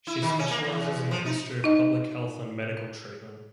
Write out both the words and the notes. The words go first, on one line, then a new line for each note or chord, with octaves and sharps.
She specializes in the history of public health and medical treatment.
E4
D#3
C#4
A#3
E2
F3
D#4
D#4 D#5